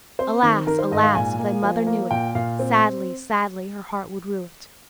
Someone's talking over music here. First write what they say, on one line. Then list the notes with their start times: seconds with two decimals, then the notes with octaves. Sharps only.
"Alas! alas! if thy mother knew it, Sadly, sadly her heart would rue it."
0.19 C4 C5
0.43 D#3
0.67 D#3 A#4
0.79 C5
0.91 G#2 D#5
1.03 F5
1.15 A#2 G#5
1.39 A#3
1.63 F3
1.87 A#3
2.11 A#2 G5
2.35 A#2 F5
2.59 C4